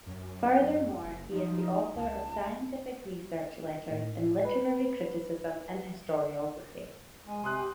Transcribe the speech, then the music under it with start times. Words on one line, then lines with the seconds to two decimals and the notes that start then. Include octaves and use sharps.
Furthermore, he is the author of scientific-research letters in literary criticism and historiography.
0.06 F#2
1.04 F#1
1.32 F3 D#4
1.95 C#2 A5
3.91 A2
4.45 B4
7.27 G#3 G#5
7.44 C3 C6 D#6 F#6
7.58 G4